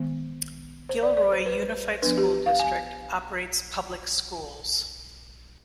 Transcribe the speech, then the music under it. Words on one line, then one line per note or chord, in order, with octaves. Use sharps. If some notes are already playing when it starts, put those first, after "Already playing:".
Gilroy Unified School District operates public schools.
Already playing: D#3 G#3 B3
C5
D5
D5
C5
B4
F3 B3 D4 B4
G4
F5
G#5